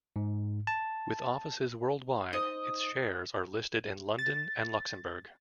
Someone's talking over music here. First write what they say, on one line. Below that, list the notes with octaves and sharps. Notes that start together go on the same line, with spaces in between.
With offices worldwide, its shares are listed in London and Luxembourg.
G#2
A5
D#4 C5 D#5 D#6
A6